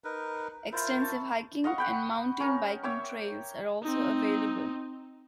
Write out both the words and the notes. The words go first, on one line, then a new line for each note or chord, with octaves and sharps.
Extensive hiking and mountain biking trails are also available.
D#4 A#4 B4
E4 F4 A#4 C5
A5 C#6
D#5 F5 F#5 C#6
F#5 G5 B5
C#4 A#4
C#5 E5 G5 D6
C4 D#4